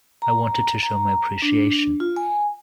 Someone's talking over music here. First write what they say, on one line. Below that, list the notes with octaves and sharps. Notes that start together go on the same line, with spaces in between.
I wanted to show my appreciation.
A#5
A#5
D4
F4
G#5